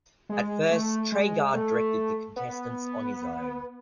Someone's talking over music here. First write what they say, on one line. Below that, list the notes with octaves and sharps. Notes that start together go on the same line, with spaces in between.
At first, Treguard directed the contestants on his own.
G#3
A3
G#3
A3
B3